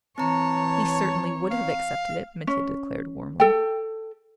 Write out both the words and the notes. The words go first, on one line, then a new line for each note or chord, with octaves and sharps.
"He certainly would have accepted it," Mitya declared warmly.
E3 C4 C#5 A5 A#5
F5
C#4
A4 G5